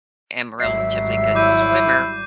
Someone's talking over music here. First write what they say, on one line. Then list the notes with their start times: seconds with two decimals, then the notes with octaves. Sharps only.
am relatively good swimmer,
0.60 G#1 F#3 G3 E5 C7
1.35 E4 D6 G6 D#7